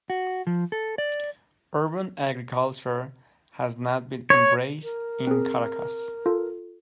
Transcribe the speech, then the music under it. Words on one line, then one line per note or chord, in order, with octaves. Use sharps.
Urban agriculture has not been embraced in Caracas.
F#4
F3
A4
D5
C#5
A#4
C4 G#4
F4 A4